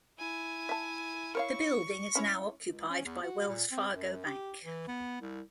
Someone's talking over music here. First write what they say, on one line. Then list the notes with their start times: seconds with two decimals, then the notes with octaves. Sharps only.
The building is now occupied by Wells Fargo Bank.
0.19 E4 G#5
0.69 E5 A5
1.35 A#4 C#5 F5 C#6
2.15 C#4 E4 C#5
2.71 C#2
2.90 C#4
3.05 E2
3.23 F#4
3.48 A#2
3.72 C4
3.91 F#2
4.26 G4
4.64 E3
4.88 B3
5.21 C2